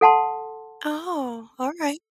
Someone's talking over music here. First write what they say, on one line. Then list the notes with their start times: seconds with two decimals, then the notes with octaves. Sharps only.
Oh, alright.
0.01 A4 F#5 A5 C6